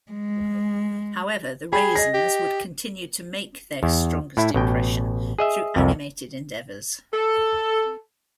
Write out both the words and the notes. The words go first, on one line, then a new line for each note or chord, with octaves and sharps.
However, the Raisins would continue to make their strongest impression through animated endeavors.
G#3
G#4 G5 B5
D#5 A#6
G4
E2
A2 E4
A1 B2 G5
G#4 D#5 E5
C2 F2
A4